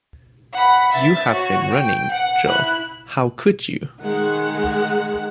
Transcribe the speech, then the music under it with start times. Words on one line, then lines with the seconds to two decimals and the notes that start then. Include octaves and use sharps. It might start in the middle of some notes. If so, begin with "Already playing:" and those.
You have been running, Jo; how could you?
0.53 F#5 B5
0.92 E5 A6
1.32 F#4 C#5
1.70 G5
2.11 F#5
2.46 E4 F#6
4.02 D#3 G#3 F#5